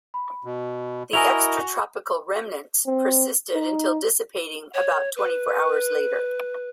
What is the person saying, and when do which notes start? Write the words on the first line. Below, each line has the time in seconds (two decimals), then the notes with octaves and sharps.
The extratropical remnants persisted until dissipating about twenty-four hours later.
0.14 B5
0.44 B2
1.13 E4 F#4 A#4 D#5 G#5 F7
2.87 C4
3.54 D#4
4.74 C#5
5.16 B4